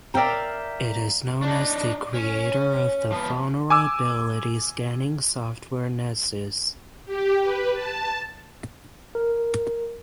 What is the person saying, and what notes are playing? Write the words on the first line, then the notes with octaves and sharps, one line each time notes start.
It is known as the creator of the vulnerability scanning software Nessus.
A#4 D5 E5 F5 G5 A#5
D4 D#4
C#4 C#5
F3 B3
G#5 D6 E6
G4
B4
A5
A#4